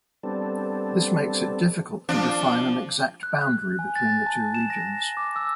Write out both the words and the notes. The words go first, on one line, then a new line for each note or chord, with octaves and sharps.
This makes it difficult to define an exact boundary between the two regions.
G3 B3 C4 D4 A4
F3 D4
F#6
F#6
G#5
A6
A5
E7
A#6
D6
E6